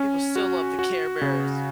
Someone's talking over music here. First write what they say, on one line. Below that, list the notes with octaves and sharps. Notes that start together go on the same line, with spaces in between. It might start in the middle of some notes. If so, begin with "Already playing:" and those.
People still love the Care Bears.
Already playing: C#4
F#4
F#4
C#3